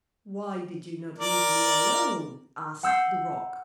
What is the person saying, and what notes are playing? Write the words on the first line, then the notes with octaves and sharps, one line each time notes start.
'Why did you not leave me alone?' asked the rock.
A#4 D5
F#5 E6 G6 C7